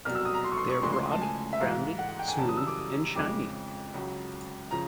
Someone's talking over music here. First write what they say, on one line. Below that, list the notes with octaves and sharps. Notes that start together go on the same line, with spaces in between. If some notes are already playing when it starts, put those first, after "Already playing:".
They are broad, rounded, smooth and shiny.
C2 B2 F#3 F6
E6
D#6
A#5
C6
C#6
C6
C#6
D2 C#3 F3 G#3 C6
C6
A5
G#5
E5
G#2 E3 G#3 F5
F#5
F#5
G5
G#5
F#2 C#3 E3 G3 A5
D#6
E6
D6
D#6
F2 C#3 F3 G#3 D6
C#2 C#3 F#3
C#3 F3 A#5